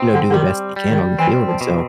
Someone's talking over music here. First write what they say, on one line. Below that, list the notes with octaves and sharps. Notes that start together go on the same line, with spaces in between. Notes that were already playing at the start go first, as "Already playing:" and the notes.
you know, do the best they can on the field and so,
Already playing: C4 D#4
D3
D3
D#3 G3
G3
D#3
E3 C4
F3
B2